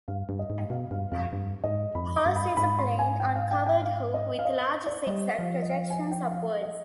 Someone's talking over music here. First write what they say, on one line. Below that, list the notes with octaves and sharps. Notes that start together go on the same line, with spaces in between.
Hers is a plain uncovered hoop with large zig-zag projections upwards.
G2 F5
G2
D#5
G#2
B2 F5
G2 F5
F2 F5
G2
G#2 D#5
F2 B5
D6
G2
B5
G#2 B5
C6
G#5
G5
F5
G5
G5
F5
D#5
F5
D#5
D5
G3 D#5
F3 F5
D#5
F5
G#5
G#5
G5
F5
D#5